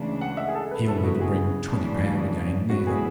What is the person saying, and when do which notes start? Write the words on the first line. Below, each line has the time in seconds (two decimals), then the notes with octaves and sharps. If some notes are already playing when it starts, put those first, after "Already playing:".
He'll never bring twenty pound again, neither.'
Already playing: D2 C#3 E3 G#3 D4
0.21 F#5
0.37 E5
0.48 G#4
0.54 A4
0.70 C#3 G#3 B3 E4 B4
0.88 A4
1.04 F#4
1.21 G#4
1.70 F#2 C#3 E3 A3 D4
2.70 E2 C#3 F#3 B3 E4 F#4
2.87 G#4